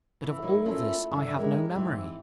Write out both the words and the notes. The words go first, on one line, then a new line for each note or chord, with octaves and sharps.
But of all this I have no memory.
E3
F#3 A#3 D#4
A3 A#3 C#4 E4 F4 A4
G2 D3 E3 E5
G#3 A#3 C#4 G4 A#4
G#2 E3 C4 G4